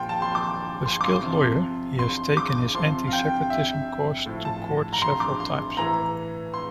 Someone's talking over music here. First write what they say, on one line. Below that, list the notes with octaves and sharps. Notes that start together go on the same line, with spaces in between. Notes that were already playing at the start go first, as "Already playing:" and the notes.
A skilled lawyer, he has taken his anti-separatism cause to court several times.
Already playing: A#2 F3 G5 C6
A5
C6
D6
C6
D6
C6
C3 F3
C6
D6
C3 F3 C6
F5
G5
E5
A2 F3
A5
A#5
C6
D6
C6
A2 E3 A#5
C6